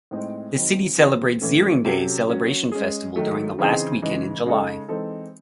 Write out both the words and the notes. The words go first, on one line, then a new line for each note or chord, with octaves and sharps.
The city celebrates Zearing Days Celebration festival during the last weekend in July.
A2 G#3 C4 D#4
D#3 F#3 C4
E3 C4 F#4 A4
A2 E3 A3 C#4
C3 F#3 C#4 F#4 A4
F#3 C#4 F#4
G#3 C#4 G#4
D#3 F#3 A3
C#3 E3 C4 D#4 G#4
C#3 E3 G#3 D#4
C#3 G#3 D#4 A4
E3 G#3 C4 D#4 A4